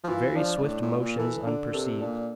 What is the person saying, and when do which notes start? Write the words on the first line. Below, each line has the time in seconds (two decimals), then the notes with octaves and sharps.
Very swift motions unperceived.
0.04 F3
0.08 E3 F4
0.36 F3 D4
0.57 G2
0.63 A2 D4
0.82 A2
0.91 F4
1.01 A#2
1.18 E3 A4
1.45 D3 D4
1.73 C3 A4
2.01 A#2 D4